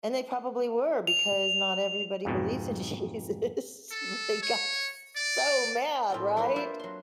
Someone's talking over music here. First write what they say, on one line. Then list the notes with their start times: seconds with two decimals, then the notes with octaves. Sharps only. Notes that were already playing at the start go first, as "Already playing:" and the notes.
and they probably were because not everybody believes in Jesus. They got s so mad, right?
1.07 F7
2.25 F2 G#2 B2
3.91 A4
4.42 C#5
5.16 D5
6.10 A2 C4 F4
6.36 F#3 G3 A#3 E4 B4 C6
6.56 D4 F4 C5 E5
6.79 F#3 C6